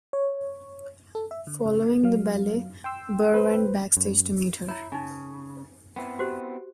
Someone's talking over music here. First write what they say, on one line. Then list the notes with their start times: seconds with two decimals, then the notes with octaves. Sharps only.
Following the ballet, Burr went backstage to meet her.
0.13 C#5
1.15 A4
1.31 E5
1.47 D3
1.66 C#3
2.04 F#3 F5
2.84 G5 C6 E6
3.34 B4 C5
3.97 F#2
4.69 E4 C#5 A#5
4.92 C#3 D#4 G#5
5.96 B3 C4 E4
6.19 F#4 G4 C5